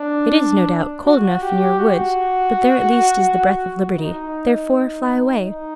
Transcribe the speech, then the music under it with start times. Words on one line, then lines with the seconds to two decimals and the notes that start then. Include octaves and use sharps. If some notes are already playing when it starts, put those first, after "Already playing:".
It is, no doubt, cold enough in your woods, but there at least is the breath of liberty; therefore fly away.
Already playing: D4
1.06 F#4
1.42 G4
1.79 F#4
3.99 D#4
5.44 D#4